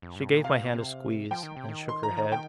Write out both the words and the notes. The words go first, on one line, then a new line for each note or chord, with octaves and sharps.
She gave my hand a squeeze, and shook her head.
F2
G2
A#2
C3 F5
A#2
C3
F3 G5
D#3
C3
D#3
C6
A#5
F3
D#3 A#5
D#3 G5